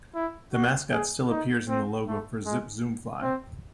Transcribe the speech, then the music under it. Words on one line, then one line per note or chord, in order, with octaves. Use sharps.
The mascot still appears in the logo for ZipZoomfly.
E4
F#4
G#4
D#4
C4
A3
G#3
C4